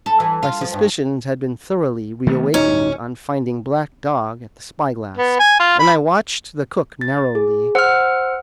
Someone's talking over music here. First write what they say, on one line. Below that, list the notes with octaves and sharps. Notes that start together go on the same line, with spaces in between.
My suspicions had been thoroughly reawakened on finding Black Dog at the Spy-glass, and I watched the cook narrowly.
A4
E3
F4
F3
G2
D#3 A3 B3
D1 C#4 D#4
B3
G#5
F4
B5
A6
G#4
C5 F#5 E6 F6